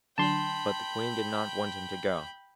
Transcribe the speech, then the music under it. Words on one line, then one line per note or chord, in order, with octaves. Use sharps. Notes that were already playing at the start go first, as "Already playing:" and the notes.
But the Queen did not want him to go.
D3 F#3 D4 G5 A5 B5 C6